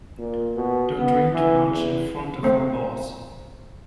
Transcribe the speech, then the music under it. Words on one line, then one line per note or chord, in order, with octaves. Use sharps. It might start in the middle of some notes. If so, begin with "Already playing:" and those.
Don't drink too much in front of your boss.
A#2
B2
B3
E3
E2
A3 C4